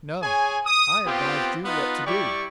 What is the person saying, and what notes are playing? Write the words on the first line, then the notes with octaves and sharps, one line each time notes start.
"No, I advised you what to do!"
G#4 C#5 G#5
D#6
B3 C4 F4 G4
B3 D#4 F4 B4
G3 E4 G4 D5 C#6